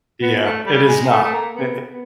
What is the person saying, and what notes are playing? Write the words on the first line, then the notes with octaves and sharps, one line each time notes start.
Yeah, it is not. I It
B3
A3
G3
G#3
A3
A3
A#3
B3
B3